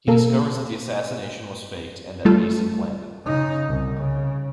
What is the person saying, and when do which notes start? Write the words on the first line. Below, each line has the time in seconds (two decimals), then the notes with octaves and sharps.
He discovers that the assassination was faked and that Mason planned it.
0.07 B2 A#3 A4 A#4
2.25 G3 A3 F4 A4
3.24 C#3 D#4
3.68 C2
3.97 C#3